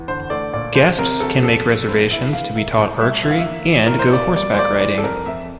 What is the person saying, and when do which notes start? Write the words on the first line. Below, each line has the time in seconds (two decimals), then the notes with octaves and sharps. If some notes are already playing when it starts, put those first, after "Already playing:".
Guests can make reservations to be taught archery and go horseback riding.
Already playing: E2
0.08 D3 C5
0.30 A3 D5
0.53 A#2 D5
0.75 F3 C5
0.98 C3 A#4
1.20 D2 A4
1.43 F2 A4
1.65 F2
1.88 G2 C5
2.11 E3 E5
2.33 E3 F5
2.56 A#3 E5
2.78 C2 C5
3.00 G3 E5
3.23 E2 E5
3.31 F5
3.39 E5
3.46 A#3
3.68 E3
3.87 A2 A#4
3.99 C5
4.13 A#3 D5
4.36 G3 D5
4.54 C5
4.59 A#3 D5
4.81 E3 D5
4.98 A4
5.03 F2 A#4
5.26 F2 E5